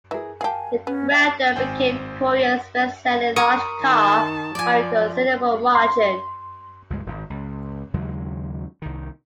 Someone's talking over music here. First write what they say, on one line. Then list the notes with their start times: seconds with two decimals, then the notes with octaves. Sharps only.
The Grandeur became Korea's bestselling large car by a considerable margin.
0.11 E3 G#4 A#4 E5
0.41 G4 G#4 A#4 F5 G#5 A5
0.87 B3 C#4 G#4
1.11 E5 G5
1.55 G#1 C4 C5 G5 G#5
3.36 A#4 C#6 D#6
3.82 D#3 A5
4.55 F3 D5 G#5
5.75 C6
6.90 C#2 G2 G#3
7.06 D#1 G#1
7.30 C#2
7.94 D#2 C#3 F#3 G#3
8.82 C2 D#3